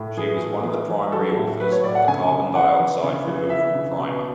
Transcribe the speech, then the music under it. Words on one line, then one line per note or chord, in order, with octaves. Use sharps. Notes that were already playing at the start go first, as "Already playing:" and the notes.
She was one of the primary authors of the Carbon Dioxide Removal Primer.
Already playing: A2
E3 G#4
A2
E3
E3
F#3 A4
A2
F#3 B4
C#5
A2 D5
F#5
C#3 G#5
C#3
E3 F#5
E3
C#3
E3
E3 E5
C#3
B2